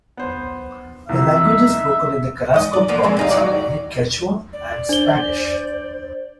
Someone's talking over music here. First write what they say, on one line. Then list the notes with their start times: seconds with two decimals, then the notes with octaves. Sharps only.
The languages spoken in the Carrasco Province are mainly Quechua and Spanish.
0.17 B3 C5
1.09 C2 F2 D#4 E5
2.54 G#2 D#5
2.73 D5
2.88 D3 F3 A#3
3.03 F3 G#3 C4
3.17 G3 D#4 F5
3.31 D#3 F#3 D5
4.53 D5
4.89 D4 C5 G7